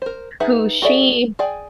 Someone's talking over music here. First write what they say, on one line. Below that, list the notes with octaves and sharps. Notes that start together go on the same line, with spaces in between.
who she
A#4 C5
D#4 G#4 B4 E5 F#5
F#4 G#4 A4 D5 E5
G#4 D5 G5 G#5